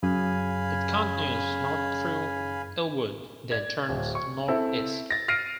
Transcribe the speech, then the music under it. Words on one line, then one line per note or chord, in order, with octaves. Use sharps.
It continues north through Elwood, then turns northeast.
F#2 C#3 F5 G#5 B5
D5 G#6
D1
C#6
C4 E4 A4
A6 A#6
F6 A#6 C7 D7 D#7